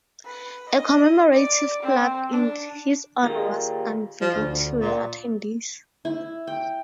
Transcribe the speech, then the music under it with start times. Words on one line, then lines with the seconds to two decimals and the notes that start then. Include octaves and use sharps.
A commemorative plaque in his honor was unveiled to the attendees.
0.25 B4
0.69 D#5
1.33 D5
1.83 C4
2.32 D4
3.23 D#2 A#2 A#3 G4 G#4 G5
4.21 F3
4.35 D2
4.80 A#2
6.05 E4
6.47 G5